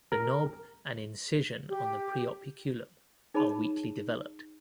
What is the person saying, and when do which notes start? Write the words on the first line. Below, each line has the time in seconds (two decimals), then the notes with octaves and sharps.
The knob and incision on the preoperculum are weakly developed.
0.12 A#4
1.69 G4
3.34 D#4 G#4 C#5 A5 B5